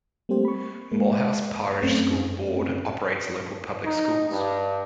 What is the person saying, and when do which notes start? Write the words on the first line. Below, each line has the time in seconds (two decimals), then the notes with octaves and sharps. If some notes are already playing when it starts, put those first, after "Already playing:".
Morehouse Parish School Board operates local public schools.
0.29 G3 A3 A#3 C4 G4 C5
0.45 B5 C#6
0.92 G#3 A#3
1.82 F#2 A3 C4 C#4
3.84 D#4
4.29 G2